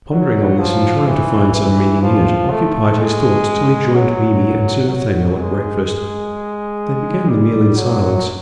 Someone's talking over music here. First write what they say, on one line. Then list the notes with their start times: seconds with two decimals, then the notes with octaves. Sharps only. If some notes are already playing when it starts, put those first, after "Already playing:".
Pondering on this and trying to find some meaning in it, occupied his thoughts till he joined Mimi and Sir Nathaniel at breakfast. They began the meal in silence.
0.11 F#3
0.59 F3
1.07 E3
1.55 E3
2.02 F3
2.50 A3
2.98 G#3
3.94 F#3
4.89 F#3
5.37 G#3
5.85 G#3
7.29 G3
7.76 F#3